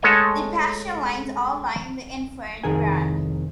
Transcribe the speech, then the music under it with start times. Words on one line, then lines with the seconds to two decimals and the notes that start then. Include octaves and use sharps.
The Paschen lines all lie in the infrared band.
0.03 G#3 A3 A4 C#5 D#5 G#5
2.63 C2 F2 D#3 G#4 A#4 G#5